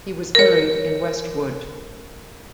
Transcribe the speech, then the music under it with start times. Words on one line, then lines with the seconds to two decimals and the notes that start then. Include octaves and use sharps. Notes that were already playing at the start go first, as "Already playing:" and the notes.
He was buried in Westwood.
0.35 A#4 C#5